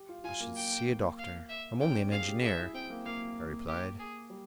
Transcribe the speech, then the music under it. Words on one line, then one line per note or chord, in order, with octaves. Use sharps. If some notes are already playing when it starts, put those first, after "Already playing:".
"I should see a doctor; I'm only an engineer," I replied.
Already playing: G4
F4
F4 G#5
A#3
G5
F5
E5
C#4 G5
G4
G#4 F5
G4
G#4 E5
E4
C4 G5
A#3
A#3 F5
G4
G#4
G3